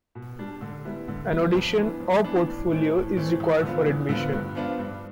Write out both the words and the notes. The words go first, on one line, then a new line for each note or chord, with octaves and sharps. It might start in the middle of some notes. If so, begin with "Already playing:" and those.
An audition or portfolio is required for admission.
B2
G3 D4
D3
G3 B3 E4
D3
G3 B3 E4
F2
E3 B3 D4
F2
E3 B3 D4
A2
E3 A3 C4
A2
E3 A3 C4
E2
D3 F3 B3 F4
E2
D3 F3 B3 F4
G2
F3 B3 D4 F4
G2